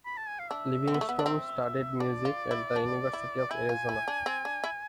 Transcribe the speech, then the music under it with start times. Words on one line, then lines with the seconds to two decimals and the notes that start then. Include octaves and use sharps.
Livingston studied music at the University of Arizona.
0.05 B5
0.17 A5
0.28 G#5
0.39 F5
0.50 D4 E5
0.88 C4
0.94 B3
1.01 A3
1.09 B3
1.19 D4
1.26 C4
2.00 D4 D5
2.25 F4
2.51 E4
2.76 D4
3.13 E4
3.51 E4 G#5
3.69 F4
3.89 E4
4.08 D4
4.26 C4
4.45 D4
4.64 E4